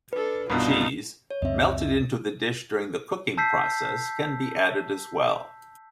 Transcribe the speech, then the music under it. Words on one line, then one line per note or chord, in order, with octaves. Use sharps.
Cheese, melted into the dish during the cooking process, can be added as well.
D4 A4 B4
C2 G2 B2 D#4 F4 B5
C#5
C#2 F#2 C4 D#5 E5
A5 E6 G6 B6 C7